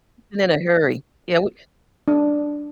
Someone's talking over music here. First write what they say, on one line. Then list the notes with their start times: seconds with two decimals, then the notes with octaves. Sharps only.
and in a hurry, yeah we
2.08 D4